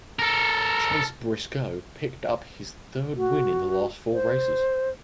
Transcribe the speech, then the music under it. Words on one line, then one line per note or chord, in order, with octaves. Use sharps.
Chase Briscoe picked up his third win in the last four races.
A4 A#4
F#4
C5